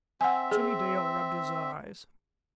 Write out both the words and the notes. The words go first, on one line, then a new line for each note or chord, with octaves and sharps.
Jimmie Dale rubbed his eyes.
C4 E5 F#5 G#5
G#4